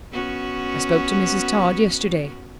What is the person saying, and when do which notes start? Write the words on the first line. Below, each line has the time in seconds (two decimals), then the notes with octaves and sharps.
I spoke to Mrs. Tod yesterday.
0.12 B3 C#4 F#4